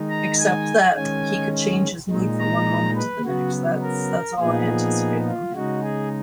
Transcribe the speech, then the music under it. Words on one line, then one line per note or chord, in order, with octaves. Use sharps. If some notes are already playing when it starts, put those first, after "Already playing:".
except that he could change his mood from one moment to the next, that's that's all I anticipate from him.
Already playing: D#3 G#3 D#4
A#5
G#5
D#3 G#3 C#4 G#5
A#2 G#3 D#4
A#5
B4
C#3 F#3 B3 F#4
A#4
A#2 F3 B3 D#4 G#4
F4
C#3 G#3 D#4 F#4
G#4